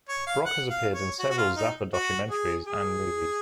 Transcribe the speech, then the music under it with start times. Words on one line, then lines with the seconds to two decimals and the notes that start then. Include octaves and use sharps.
Brock has appeared in several Zappa documentaries and movies.
0.09 C#5
0.27 F5
0.45 F#5
0.70 F5
0.94 C#5
1.19 F#4
1.30 F#4
1.38 F4
1.56 D#4
1.93 F#4
2.30 G#4
2.67 G#4